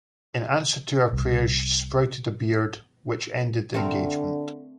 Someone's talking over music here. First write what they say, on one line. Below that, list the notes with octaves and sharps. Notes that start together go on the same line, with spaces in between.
In answer to her prayers she sprouted a beard, which ended the engagement.
C2
D3 A3 C4 A#4